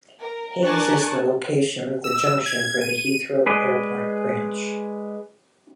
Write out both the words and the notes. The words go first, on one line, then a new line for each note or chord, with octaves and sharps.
Hayes is the location of the junction for the Heathrow Airport branch.
A#4
D4 A#4 G#5 A5 C#6 F#6
E6
G#6
D#7
G#3 G#4 B4 D5 D#5